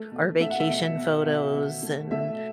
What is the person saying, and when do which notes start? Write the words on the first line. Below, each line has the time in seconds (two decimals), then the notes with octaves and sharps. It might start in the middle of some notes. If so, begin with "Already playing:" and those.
our vacation photos and
Already playing: A3
0.12 B2
0.40 A3 E5
0.50 F#5
0.60 E5
0.69 B2
0.97 B2
1.26 B2
1.54 B2
1.83 A3
2.11 A3 E5